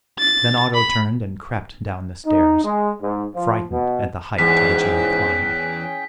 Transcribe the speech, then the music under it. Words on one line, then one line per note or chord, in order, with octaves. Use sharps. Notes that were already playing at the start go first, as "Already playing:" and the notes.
Then Otto turned and crept down the stairs, frightened at the height to which he had climbed.
A6
B5
D#4
G#3
G#2
F3
B2
E2 G#2 C#4 G#4 G5 B6